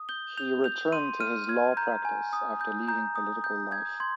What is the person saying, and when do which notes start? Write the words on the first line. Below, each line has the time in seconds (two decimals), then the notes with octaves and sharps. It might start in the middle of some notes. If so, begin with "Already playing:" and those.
He returned to his law practice after leaving political life.
Already playing: D#6
0.09 G6 G7
0.37 G6 F7
0.64 G6 F7
0.92 C6 D#7
1.20 F6 D#7
1.49 F6 G#6
1.77 A#5 G6
2.05 G#5
2.33 D#6
2.61 G6
2.88 A#5 G6
3.16 D#6
3.44 G6
3.71 G6 G#6
4.00 C6 G#6